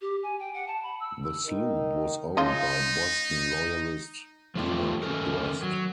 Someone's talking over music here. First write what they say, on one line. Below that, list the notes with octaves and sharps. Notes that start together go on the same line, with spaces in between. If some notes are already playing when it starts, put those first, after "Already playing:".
The sloop was owned by Boston loyalist Enoch Rust.
G4
G#5
G5
F#5
A5
B5
E6
D#3 D#4 A#4
G#3 C#4 D#4 F4
F3 A3 D4 F4 G4 D5
D#3 A3 C#4 A4 A#4
F#3